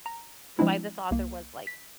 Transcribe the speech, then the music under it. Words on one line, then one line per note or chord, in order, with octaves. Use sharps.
by this author was, like,
A#5
F3 G#3 C4 D4 E4
C2 A#3
B6